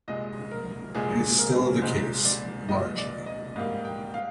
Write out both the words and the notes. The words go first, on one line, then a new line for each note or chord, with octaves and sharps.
It is still the case, largely.
C2 A#2 G#3 D#5
A#4
C2 A#2 G#3 G#4
A#4
C2 A#2 G#3 C5
D5
C2 A#2 G#3 D#5
D5
D#5
G#2 G3 A#3 F5
G5
F5